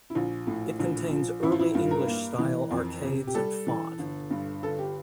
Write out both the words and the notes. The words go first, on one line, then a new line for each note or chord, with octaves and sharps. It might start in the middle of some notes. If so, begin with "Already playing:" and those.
It contains Early English style arcades and font.
E4
A#1 F4
A2
A#1
F3
A1 E4
F4
E4
G2 F4
A#4
A#3
E3
F2
C3
G4
G3 A4
E3
G1
G2
G1 A4
G4